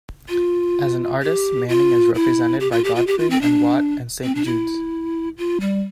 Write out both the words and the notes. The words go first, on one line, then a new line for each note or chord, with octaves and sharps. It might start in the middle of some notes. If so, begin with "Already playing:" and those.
As an artist Manning is represented by Godfrey and Watt, and Saint Judes.
F4
G4
F4
E4
G4
F4
G4
F4
G4
F4
C4
D4
C4
D4
E4
F4
G3